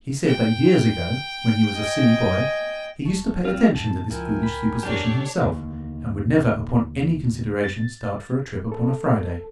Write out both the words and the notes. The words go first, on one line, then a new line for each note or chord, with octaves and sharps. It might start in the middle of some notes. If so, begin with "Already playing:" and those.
He said that years ago, when he was a silly boy, he used to pay attention to this foolish superstition himself, and would never upon any consideration start for a trip upon a Friday.
G5
D#5 G#5
E1 A5 C#6
C4 F4 G5
F2 A2 D3 A5
C#2 F3 E4 A#4 G5 G#5
B5
E2 G3 D4 G4 A4 C#5
D#2 D3
A6
A4